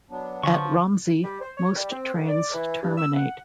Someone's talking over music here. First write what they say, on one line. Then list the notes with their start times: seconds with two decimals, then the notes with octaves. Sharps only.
At Romsey most trains terminate.
0.10 F#3 B3 D4
0.43 D3 F3 C#6
1.24 G3
1.41 C5
1.58 C#5
1.76 G3
1.91 C4
2.13 D2
2.29 D5
2.54 E3
2.82 G2
2.97 E6
3.15 F#5